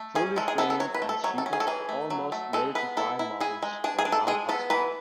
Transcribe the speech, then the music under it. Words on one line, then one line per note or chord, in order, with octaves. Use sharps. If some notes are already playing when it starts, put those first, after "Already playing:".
Fully framed and sheeted almost ready-to-fly models were now possible.
Already playing: A3
C#4 G#4
G#3 A4
G#4
B3 A4
A4
F#3 C#5
B4
A3
A4
F#3 C#5
A4
C#4
G#4
A4
E3 G#4
A3
F#3
A3
G#3 A4
B3 B4
E4 A4
E4
E4 G#4
G#3
D4 G#4
G#4
D4
A4
G#3 G#4
B3 A4
E3 B4